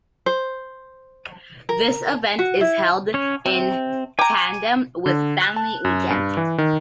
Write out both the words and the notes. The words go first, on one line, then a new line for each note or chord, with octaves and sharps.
This event is held in tandem with Family Weekend.
C5
A#4
F#4
E4
C#4 C#5
C3 C4
G5 G#5 A#5 D6
D3
F#6
A5
F#2
G2
E3
D#3